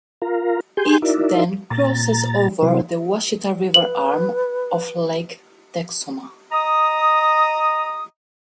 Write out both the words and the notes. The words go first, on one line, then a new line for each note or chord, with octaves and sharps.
It then crosses over the Washita River arm of Lake Texoma.
F4 A#4 F5 A#5
G4 G#4 G#5 C6 G6
D#4 E4 F#4 A#4 D5 E5
A#2 A#5 A6
C3 F#3 E4 C5
B4 F#7
D#5 A#5 D#6